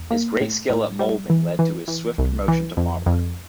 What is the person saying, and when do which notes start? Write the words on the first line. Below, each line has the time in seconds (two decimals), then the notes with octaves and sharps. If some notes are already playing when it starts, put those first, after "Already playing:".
His great skill at moulding led to his swift promotion to modeller.
Already playing: E2
0.11 A#3
0.41 A2
0.70 A2
0.99 G3
1.30 E3
1.59 E3
1.88 E3
2.18 C2
2.48 E3
2.77 F2
3.06 F2